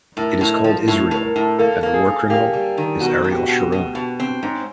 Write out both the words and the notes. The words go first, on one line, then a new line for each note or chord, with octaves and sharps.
It is called Israel, and the war criminal is Ariel Sharon.
A2 A#4
A2
D#5
F3
A2 E5
A2
A#4
A2
A#3 A4
A#3
G#4
A#3
A#3 G4
G3
D#3
B2 F#4
B2
G4
F#4
B2
B2
B2
C4
G#2 C#4